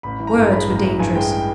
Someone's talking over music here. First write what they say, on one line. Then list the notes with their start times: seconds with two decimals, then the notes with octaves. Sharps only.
Words were dangerous.
0.03 A1 B5
0.19 E3
0.27 A#5
0.35 G2
0.52 G#3 B5
0.68 A1
0.76 A#5
0.84 E3
0.99 G2 G#5
1.15 G#3 G5
1.32 G5